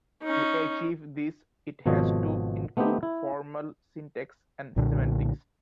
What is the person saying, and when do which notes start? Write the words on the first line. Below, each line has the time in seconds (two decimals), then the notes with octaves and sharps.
To achieve this it has to include formal syntax and semantics.
0.23 C#4 D#4
1.86 G#1 B2 F3 A4 C#5 D#5
2.77 A3 B3 C4 D#4 G4
3.03 E4
4.76 B1 A#2 D3